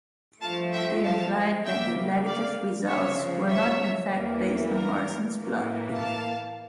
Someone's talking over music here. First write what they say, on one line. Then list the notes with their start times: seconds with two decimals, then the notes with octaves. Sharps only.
They implied that the negative results were not in fact based on Morrison's blood.
0.41 G2 F3 A3 F5 A5
0.73 E5 G5
1.03 F5 A5
1.65 D2 C#3 G3 A#3 E5 G5
2.26 D5 F5
2.87 D2 C#3 F3 C#5 E5
3.49 C#5 E5
4.11 E2 E3 A#3
4.73 A#4
5.35 A2 E3 A#3
5.95 F5 A5